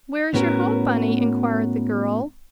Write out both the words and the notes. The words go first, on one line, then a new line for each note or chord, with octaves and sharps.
"Where is your home, bunny?" enquired the girl.
A2 B3 C#4 F#4 A#4